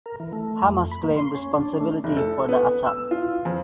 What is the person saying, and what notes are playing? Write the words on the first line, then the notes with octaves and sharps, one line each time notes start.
Hamas claimed responsibility for the attack.
A#4
E3
A3
F2
B5
A#3
C6
C#4
D4
A3
F1
A4
B3
E6
F4
F2